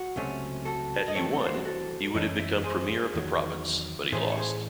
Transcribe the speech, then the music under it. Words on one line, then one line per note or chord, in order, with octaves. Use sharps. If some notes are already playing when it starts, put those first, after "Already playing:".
Had he won, he would have become premier of the province, but he lost.
Already playing: F#4
C#2 C3 F#3 A3 C#4
F#4 A4
D#5
C2 C3 E3 A3 C4 A4 C#5
A4
C5
F#4 A4
F#4 A4
F#2 E3 A3 C#4 D#4
E4
G#4 C5
E2 D#3 F#3
A2 E3 A3 C#4 G#4 C5
C#5
G#4 C5